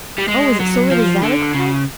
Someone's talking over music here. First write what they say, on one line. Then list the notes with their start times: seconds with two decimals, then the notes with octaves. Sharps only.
"Oh, is it so late as that?" I cried.
0.18 G3
0.28 G#3
0.60 F#3
0.91 F3
1.23 D3
1.55 C#3